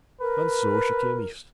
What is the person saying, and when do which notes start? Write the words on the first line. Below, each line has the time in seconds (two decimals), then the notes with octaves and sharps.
And so she came east.
0.21 A#4 B4